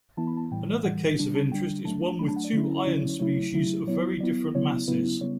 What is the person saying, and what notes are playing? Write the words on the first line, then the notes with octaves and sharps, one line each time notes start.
Another case of interest is one with two ion species of very different masses.
E3 B3 E4 A5
B5
A5
A2 E3 G3 G5
A2 E3 G3 F#5
D3 G3 D4
A5
D3 G3 D4 G5
F#3 A3 D4 A5
F#3 A3 D4 B5
A5
F#5
D5
D3 F#3 C#4 E4
D3 F#3 C#4 E4 D5
C#5
C#5
C#3 F#3 A3 E4 C#5
C#3 F#3 A3 E4
F#3 B3 E4 C#5
F#3 B3 E4 D5
C#3 F#3 B3 E4 C#5
C#3 F#3 B3 E4 B4
C#3 G3 B3 C#5